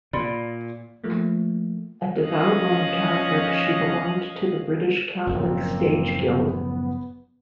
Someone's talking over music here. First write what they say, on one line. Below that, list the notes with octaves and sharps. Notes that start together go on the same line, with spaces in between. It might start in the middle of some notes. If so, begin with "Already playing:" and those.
A devout Roman Catholic, she belonged to the British Catholic Stage Guild.
A#2 D5 B5 C6
F3 A3 A#3
F3 C#4 D#5 F5 D#6 F#6
F#1 A2 F3 A#3 C4
B3